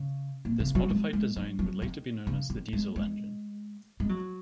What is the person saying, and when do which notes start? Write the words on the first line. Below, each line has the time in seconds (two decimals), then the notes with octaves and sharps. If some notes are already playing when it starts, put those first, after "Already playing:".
This modified design would later be known as the diesel engine.
Already playing: C#3
0.45 A#2
0.60 C#3
0.75 F#3
0.90 G#3
1.13 G#3
1.36 F#3
1.59 F#3
1.82 D#3
2.27 C#3
2.50 D#3
2.73 G#3
2.96 G#3
4.00 G#3
4.09 F#3